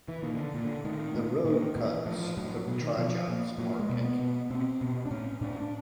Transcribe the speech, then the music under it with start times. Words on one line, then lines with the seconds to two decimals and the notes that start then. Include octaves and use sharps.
The road cuts through Trajan's Market.
0.08 E3
0.23 A#2 D#3
0.37 D3
0.54 A#2
0.65 D3
0.84 A2 D#3
1.15 A2
1.45 A#2 D#3
1.76 A#2 E3
2.06 A2 F3
2.37 A2 F#3
2.67 B2 F#3
2.82 D#3
2.97 B2 F3
3.28 A#2
3.58 A#2 F#3
3.79 G#3
3.90 B2 B3
3.96 A#3
4.05 B3
4.19 B2
4.50 B2 C4
4.81 B2
5.05 D4
5.11 A2 C#4
5.41 A2 D4
5.60 D4